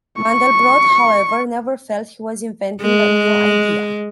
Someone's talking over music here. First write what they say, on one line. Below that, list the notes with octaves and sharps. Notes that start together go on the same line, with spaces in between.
Mandelbrot, however, never felt he was inventing a new idea.
C#6
G#3